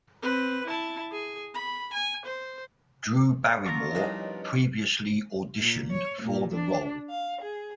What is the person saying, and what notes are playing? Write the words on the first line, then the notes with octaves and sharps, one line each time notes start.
Drew Barrymore previously auditioned for the role.
C4 B4
E4 A5
G#4
B5
G#5
C5
C#4 D4 F4 A#4 C#6
F3 G3 B3 D#4 E4 F#4 C#5 D#5
A#2
C#5
A#2
D4
F5
G#4